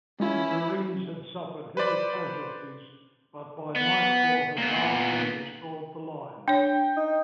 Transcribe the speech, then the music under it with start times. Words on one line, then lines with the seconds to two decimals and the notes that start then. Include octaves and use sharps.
The Marines had suffered heavy casualties but by nightfall had largely restored the line.
0.20 G#3 C#4 E4 F4
1.77 B4 C5 D5 B5
3.76 B3
4.58 A#2 B3
6.48 D4 C#5 G5
6.96 D#4